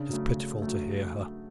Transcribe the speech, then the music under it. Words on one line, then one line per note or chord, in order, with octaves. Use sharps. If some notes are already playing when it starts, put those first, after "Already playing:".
It is pitiful to hear her.
Already playing: C#3 D4
F#3 A3
C#3
F#3 A3